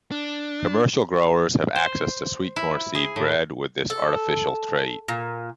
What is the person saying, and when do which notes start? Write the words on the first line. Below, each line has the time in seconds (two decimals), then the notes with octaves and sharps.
Commercial growers have access to sweet corn seed bred with this artificial trait.
0.11 D4
1.76 C5
2.56 E4
2.95 G#4
3.16 A2
3.90 A4
5.08 A#2